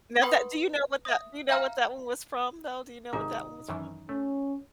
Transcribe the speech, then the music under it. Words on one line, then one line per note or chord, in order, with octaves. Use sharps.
Now that do you know what that do you know what that one was from, though? Do you know what that one was from?
B4 F#5 G5 B5 C6 D#6
E5 D#6
E5 F5 G5 A#5 F6
G#1 G#2 C3 D#4
F#2 D#3 E3
A3 C#4